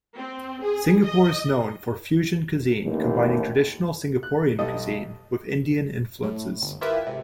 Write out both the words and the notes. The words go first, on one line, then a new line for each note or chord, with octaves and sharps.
Singapore is also known for fusion cuisine combining traditional Singaporean cuisine with Indian influences.
C4
G#4
D#5
A1 D#2
F#6
B1 G3 A4 D#5 D#6
A2
G1
E4 F4 G4 A#4 B4 E5
G#1 C3